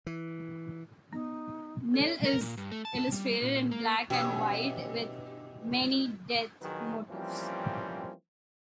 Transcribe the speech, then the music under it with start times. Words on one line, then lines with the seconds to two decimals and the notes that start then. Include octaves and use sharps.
"Nil" is illustrated in black and white with many death motifs.
0.06 E3
1.13 B3 D#4
1.94 A4 C#5
2.25 A#4
2.41 A#2
2.57 G2
2.72 A3
2.85 A5
3.12 G3
3.42 A#2
3.71 A#3
4.10 G2 B2 E3 C#4 G4 D#6
6.61 A#1 D#3 F#3 D#4 G#4 B4
7.10 E3 F3 G3 A#3 C4 C#4